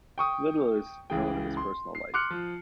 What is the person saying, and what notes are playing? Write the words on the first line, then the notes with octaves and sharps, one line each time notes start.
Little is known of his personal life.
G5 C#6 D#6
C#2 E3 G#4 G5
C6
C7
C6 D6 F6 F#6 C#7
F3